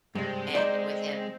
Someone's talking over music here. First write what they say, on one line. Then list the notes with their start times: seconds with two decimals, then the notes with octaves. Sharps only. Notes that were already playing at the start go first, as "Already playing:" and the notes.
and with him
0.15 G2 C3 G#3 C4
0.55 D#4 C5 D5 E5